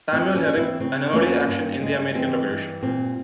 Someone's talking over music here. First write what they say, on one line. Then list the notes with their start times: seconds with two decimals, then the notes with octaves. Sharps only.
Samuel Herrick, an early action in the American Revolution.
0.12 F2 C4
0.34 A#3 C#4
0.46 E3
0.57 C4 E4
0.80 C#3 C4
1.13 F2 A#3 C#4
1.47 G2
1.81 G#3
2.15 E3 C4
2.49 G2
2.82 A#2 C4